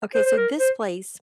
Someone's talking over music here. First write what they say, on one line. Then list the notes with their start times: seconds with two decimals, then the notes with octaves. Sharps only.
Okay, so this place
0.15 C5
0.25 C5
0.37 A#4
0.60 C5